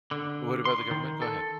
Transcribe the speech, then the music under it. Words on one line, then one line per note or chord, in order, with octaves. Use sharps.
What about the government? Go ahead.
D3
C6
D#3
A4